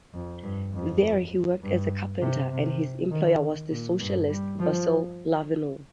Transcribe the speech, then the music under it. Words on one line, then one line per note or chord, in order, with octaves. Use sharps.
There he worked as a carpenter and his employer was the socialist Vasil Glavinov.
F2
G2
F2
G2
C3
C3
D#3
A#2
G2
G3
F3